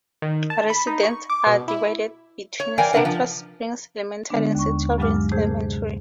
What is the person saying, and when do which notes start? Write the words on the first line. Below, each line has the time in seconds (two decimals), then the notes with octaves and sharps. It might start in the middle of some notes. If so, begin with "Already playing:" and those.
Residents are divided between Citrus Springs Elementary and Central Ridge Elementary.
0.22 D#3
0.50 A5
0.70 B5
0.87 D#4
1.03 C#6
1.30 D6
1.47 B2
1.68 E4
2.60 C#5
2.78 E3 A#4 D5 F5 G5 G#5
2.93 C3 D4 A#4 B4 F#5
3.05 F3
4.30 D3 G#3 B3 D4
4.55 D#2 C#6
4.98 G2 F#3 G#3 F5 D6 F6
5.32 C3 A3 G#4 C5 G6